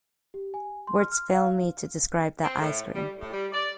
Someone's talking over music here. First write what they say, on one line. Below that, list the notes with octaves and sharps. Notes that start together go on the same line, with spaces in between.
Words fail me to describe that ice cream.
G4
G#5
C6
F6
F6
F5
C4
A2
G3
A2
G3
D5